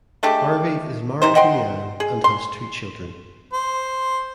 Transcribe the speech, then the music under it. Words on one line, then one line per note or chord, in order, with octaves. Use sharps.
Harvey is married to Leanne and has two children.
G#3 A3 D4 G4
C3 D#4 C5
D#5 F#5 G5 C6
G#4
C6
C5